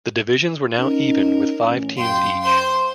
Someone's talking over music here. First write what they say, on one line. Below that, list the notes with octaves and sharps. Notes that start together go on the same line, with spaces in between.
The divisions were now even with five teams each.
C#4 D#4 A#4
A1 C#4
F#2 F5 G5 C6
C5 C6